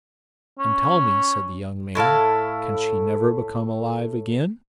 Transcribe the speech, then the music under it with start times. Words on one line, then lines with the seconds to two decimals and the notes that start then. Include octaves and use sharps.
"And tell me," said the young man, "can she never become alive again?"
0.59 C#4
1.95 A2 E4 A4 F5